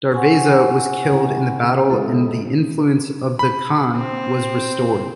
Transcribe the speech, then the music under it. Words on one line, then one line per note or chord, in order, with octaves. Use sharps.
Darveza was killed in the battle and the influence of the Khan was restored.
C5 F#5 G#5 C#6
C#3 C4 E4
G#3 E4 F4 A4 D#6
B5
C4